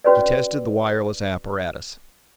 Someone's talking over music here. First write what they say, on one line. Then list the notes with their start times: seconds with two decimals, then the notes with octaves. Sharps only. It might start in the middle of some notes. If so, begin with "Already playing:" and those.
He tested the wireless apparatus.
0.04 C#4 F#4 B4 C#5 D5